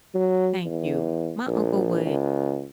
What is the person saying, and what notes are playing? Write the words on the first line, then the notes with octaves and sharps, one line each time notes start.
Thank you. My uncle would
F#3
E2
A#1
C#2